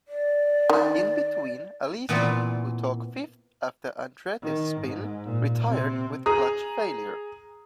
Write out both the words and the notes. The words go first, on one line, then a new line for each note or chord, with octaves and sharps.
In between, Alesi, who took fifth after Andretti's spin retired with clutch failure.
D5
D#3
A#2 E3 B3 C4 D5
D#3
G#2
A#2
C3 C4
G#4 A#5 D#6